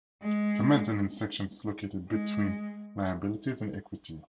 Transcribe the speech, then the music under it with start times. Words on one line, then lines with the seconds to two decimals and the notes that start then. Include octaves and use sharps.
The Mezzanine section is located between liabilities and equity.
0.22 G#3
2.09 G#3